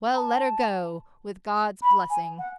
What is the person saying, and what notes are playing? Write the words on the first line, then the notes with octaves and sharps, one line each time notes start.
"Well, let her go, with God's blessing!"
B5
A5
B5
G#5
F#5